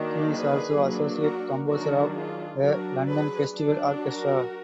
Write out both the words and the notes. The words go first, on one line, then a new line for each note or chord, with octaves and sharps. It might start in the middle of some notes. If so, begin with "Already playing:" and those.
He is also Associate Composer of the London Festival Orchestra.
Already playing: D#3 F#3 A#3 D4
G#4 B4
F#3 A#3 D4
F#4 A#4
D#3 F#3 D4 F#4 A#4
F4 G#4
F#3 D4 F#4 A#4
G#4 B4
F#3 D4
F#4 A#4